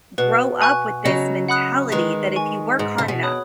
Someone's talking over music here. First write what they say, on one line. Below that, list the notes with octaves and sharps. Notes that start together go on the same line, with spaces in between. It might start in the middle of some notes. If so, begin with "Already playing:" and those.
grow up with this mentality, that if you work hard enough,
B2 B4
G#5 C#6 F#6
C#3 F#3 D#5
F#5 B5 D#6 F#6
D#3 G#3 B4
G#5 C#6
G#2 G#4
C#3
B2
C#5 B5 D#6 F#6